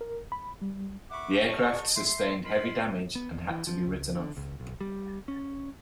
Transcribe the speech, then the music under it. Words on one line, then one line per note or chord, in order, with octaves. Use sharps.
The aircraft sustained heavy damage and had to be written off.
A#4
B5
G3
E5 F#5 B5 C#6 D6
F#2 G#4 D#5 A5 C#6
E5 C6
D#4 E4 A#4 B5 C6
B3
F2
E3
F3
C#2
D3
C#2
B1
G3
C#4